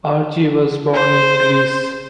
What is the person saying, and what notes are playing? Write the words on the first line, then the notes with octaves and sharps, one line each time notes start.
Argea was born in Greece.
C5